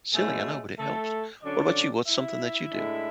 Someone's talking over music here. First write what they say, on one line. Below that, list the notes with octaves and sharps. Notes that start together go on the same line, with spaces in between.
silly, I know, but it helps. What about you? What's something that you do?
B2 G#3 A3 C#4 G#4
A3 A4
D3 F#3 C#4 D4 D5
E4 E5
A2 G#3 D4